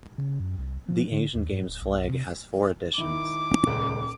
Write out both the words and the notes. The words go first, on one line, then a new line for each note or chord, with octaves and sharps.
The Asian Games flag has four editions.
C#3
F#2
C2
F3
D3
D#2
G2
D1
B1
C3
D#3 E4 D6
D#1 C#2 A#4